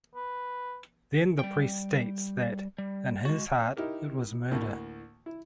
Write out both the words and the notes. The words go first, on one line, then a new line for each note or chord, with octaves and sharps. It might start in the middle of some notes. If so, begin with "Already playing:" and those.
Then the priest states that, in his heart, it was murder.
B4
G3 G5
G3
G#3 F#4
D#4 E4 G4 A#4
D2 A2 A#3
E4